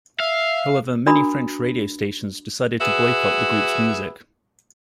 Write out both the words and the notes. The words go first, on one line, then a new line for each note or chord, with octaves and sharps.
However, many French radio stations decided to boycott the group's music.
E5 F5
D4 F#4 A#4 A#5 B5 D#6
F#4 G#4 B4 E5